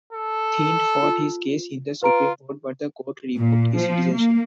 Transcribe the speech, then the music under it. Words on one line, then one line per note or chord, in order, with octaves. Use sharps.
Thind fought his case in the Supreme Court but the court revoked his citizenship.
A4
F4
F4 B4 A#5 D7
A#2
F3
A#3